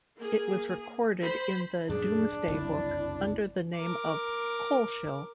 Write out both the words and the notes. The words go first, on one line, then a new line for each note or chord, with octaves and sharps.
It was recorded in the Domesday Book under the name of Coleshill.
A#3 G#4
C5 B5
F#2 A#2 F3 D4 G#4
F#1 C2 F2 E4
A#4 D6